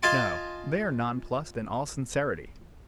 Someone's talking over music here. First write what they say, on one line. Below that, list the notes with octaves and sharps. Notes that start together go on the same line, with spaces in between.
No, they are nonplussed in all sincerity.
F4 D#5 F5 G#5 A5 C6